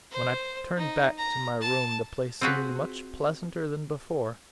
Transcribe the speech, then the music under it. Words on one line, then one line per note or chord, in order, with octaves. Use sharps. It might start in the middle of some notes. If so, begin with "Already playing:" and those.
When I turned back to my room the place seemed much pleasanter than before.
C5
D#4
A#5
A5
C4 F4 F#4 G#4 B4